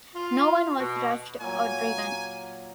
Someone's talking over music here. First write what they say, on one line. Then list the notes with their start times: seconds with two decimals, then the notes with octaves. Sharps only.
No one was rushed or driven.
0.14 F4
0.78 B2
1.41 A#2 F#3 G#5